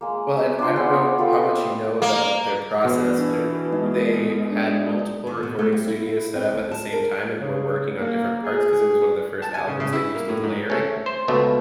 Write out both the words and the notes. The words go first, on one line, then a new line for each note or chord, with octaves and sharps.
Well, and I don't know how much you know about their process. D w they had multiple recording studios set up at the same time and were working on different parts- 'cause it was one of the first albums they used with layering.
G#3 A#3
E5
D4 F4 A#5 C6
B3 G#4 C5 F#5
F4 G4 A4 B4
D#5 D6 D#6
A#3
B2 E3
D4
G#3 D#4
D4
D#3
B2
A3
G3
E4
E4
C4
D2
A5
A#4
C#3
A#3
G#4
A5
G#5
C#3
C#3
E4
A#3
A2
G#2
A3 C#4
C5
C#2 B2 A3